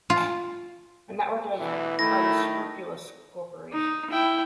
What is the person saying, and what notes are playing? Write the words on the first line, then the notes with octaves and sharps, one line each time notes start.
A network of unscrupulous corporations.
F4
D2 B2 E3
D#3 A3 E4 A#6
D#4
E4 G5